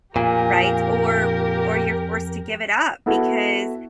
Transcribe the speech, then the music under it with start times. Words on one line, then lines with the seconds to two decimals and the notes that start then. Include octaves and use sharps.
right, or or you're forced to give it up, because
0.16 F2 A#2 G4 G#4 A#4 G#5
3.06 B3 E4 F#4 A4